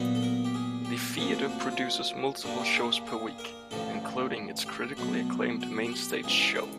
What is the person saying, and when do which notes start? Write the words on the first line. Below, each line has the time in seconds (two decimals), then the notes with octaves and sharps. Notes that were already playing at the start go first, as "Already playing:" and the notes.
The theater produces multiple shows per week including its critically acclaimed mainstage show.
Already playing: A#2 F#3 B3 D#4
0.15 A4
0.23 A#4
0.45 G4
0.54 G#4
0.85 G4
1.17 D2 C3 F3 A#3 D4 G#4
1.33 F#4
1.49 F#4
1.60 F4
1.70 F4
2.44 G2 D3 G3 A#3 D4 F#4
2.60 G4
2.76 G#4
3.07 G#4
3.38 A#4
3.71 A1 G2 D3 F3 A4
4.66 G4
4.97 B2 F#3 A3 F#4
5.61 F#4
5.85 F#4
5.92 G4
6.23 C#2 C3 E3 G#4
6.40 G#4
6.56 A4